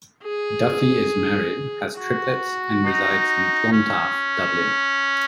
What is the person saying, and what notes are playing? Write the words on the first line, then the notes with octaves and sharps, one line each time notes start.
Duffy is married, has triplets and resides in Clontarf, Dublin.
G#4
F#4
D#4
C#4